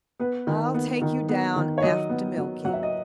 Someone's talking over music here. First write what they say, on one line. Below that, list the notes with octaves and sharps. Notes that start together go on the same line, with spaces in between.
"I'll take you down after milking."
B3 B4
D#3
B3
D#3
B3
D#3
C#5
F#3 D#5
B3
F#3
F#3 F#5
E5
D#5